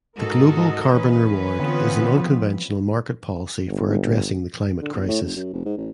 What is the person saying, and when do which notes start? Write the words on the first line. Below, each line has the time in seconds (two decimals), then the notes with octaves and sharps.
The global carbon reward is an unconventional market policy for addressing the climate crisis.
0.17 G#2 F#4 A4 A#4 D#5
0.91 E3 C#4 B4
1.60 D3 B3 C4 F4
2.17 F3
3.67 G1
4.82 D3
4.94 G1
5.08 A2
5.22 F#1
5.36 F#2
5.53 F1
5.65 G#2
5.77 A1